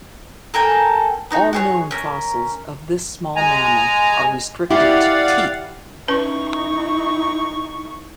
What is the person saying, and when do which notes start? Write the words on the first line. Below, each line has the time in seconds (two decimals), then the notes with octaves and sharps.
All known fossils of this small mammal are restricted to teeth.
0.54 A4 A#4 G5 G#5
1.31 B3 D#4 F#4
1.53 F#4 G#4 C#5
1.91 C#4 A#4
3.36 G#3 G#5 A#5
4.71 E4 G4 D5 F5 F#5
6.08 C#4 D#4 E4 B4 C#6